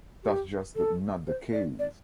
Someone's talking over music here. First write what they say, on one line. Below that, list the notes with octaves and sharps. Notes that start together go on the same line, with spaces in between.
That's just not the case.
G4
A4
C5
D5
D5